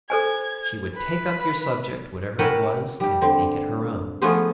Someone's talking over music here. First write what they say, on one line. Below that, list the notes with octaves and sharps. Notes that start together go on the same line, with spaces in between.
She would take up your subject, whatever it was, and make it her own.
A4 C5 G#5 G#6
B4
C#4 A#4 B4 F#5 G5 A5
G3 G4
D3 C4
F3 A3 B3 F4 G#4 C5